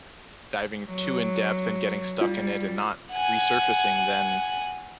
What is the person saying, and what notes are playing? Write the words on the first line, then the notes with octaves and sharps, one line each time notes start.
diving too in-depth and getting stuck in it and not resurfacing, then
F#3
G3 F4
F#5 G#5